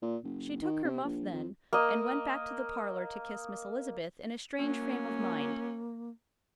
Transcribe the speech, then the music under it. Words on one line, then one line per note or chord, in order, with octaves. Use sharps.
She took her muff then, and went back to the parlor to kiss Miss Elizabeth, in a strange frame of mind.
A#2
F#1
D#3
C3
A#1
F2
A#3 D#5
A#3 C#4